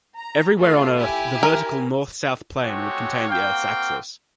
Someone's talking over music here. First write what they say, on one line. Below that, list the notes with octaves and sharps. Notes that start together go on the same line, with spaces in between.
Everywhere on Earth the vertical north-south plane would contain the Earth's axis.
A#5
A3 F4
E4 G4 G#5
A#4
G#3 A3 C4 F#4 G4 C#5
A#3 C4 F#4 F5 G5